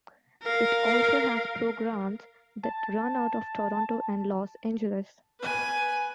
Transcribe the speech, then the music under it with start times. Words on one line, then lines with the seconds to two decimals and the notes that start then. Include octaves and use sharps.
It also has programs that run out of Toronto and Los Angeles.
0.43 A#4 F5
2.63 A5
5.39 B4 G#5